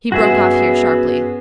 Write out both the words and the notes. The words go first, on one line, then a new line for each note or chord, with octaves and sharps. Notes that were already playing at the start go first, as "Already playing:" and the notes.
He broke off here, sharply.
G2 B3 C#4 F#4 G#4 E5